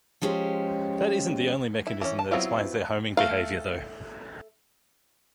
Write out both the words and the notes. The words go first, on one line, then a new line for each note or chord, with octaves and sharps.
That isn't the only mechanism that explains their homing behavior though.
F3 G#3 C#4 G4 C5
E4
E3 C#4
A5
F#3 B3 C4 E4 F4
A3 F5